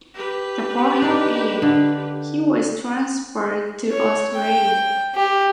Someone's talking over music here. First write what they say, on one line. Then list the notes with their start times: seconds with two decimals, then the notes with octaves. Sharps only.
The following year, he was transferred to Australia.
0.14 G4 B4
1.02 D4 D#4 A#4
1.62 D3
3.92 C#5
4.35 G5
5.15 G4